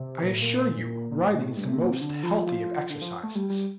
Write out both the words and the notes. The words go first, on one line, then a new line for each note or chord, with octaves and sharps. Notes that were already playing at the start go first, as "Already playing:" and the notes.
"I assure you, riding is the most healthy of exercises."
Already playing: C3
A#2
A2
A#2
A#2
A2
A#2
A2
G2
A2
C3
A#2
C3
D3
F3
F3
D3
F3
A3
G3
G3